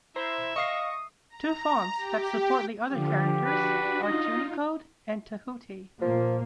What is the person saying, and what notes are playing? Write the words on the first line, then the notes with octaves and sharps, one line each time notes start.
Two fonts that support the other characters are Junicode and Tehuti.
E4 C5 E5 A#5
D#5 F5 C#6 D#6 A#6 C7
A#5
G4
D3 F3 G4
D4 F#4 B4
D#4 F4 D#5
A#2 F3 A#3